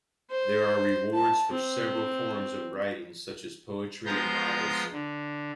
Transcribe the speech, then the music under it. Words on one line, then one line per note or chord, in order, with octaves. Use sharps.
There are awards for several forms of writing such as poetry and novels.
C5
A5
C4
F3 G#3 B3 A#5 C6 G6
D3